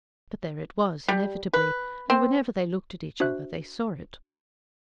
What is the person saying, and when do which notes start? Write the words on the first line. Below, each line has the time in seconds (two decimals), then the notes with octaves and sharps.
But there it was, inevitably, and whenever they looked at each other they saw it.
1.08 G3
1.53 B4
2.10 C4
3.20 D4 F#4 C5 E5 F#6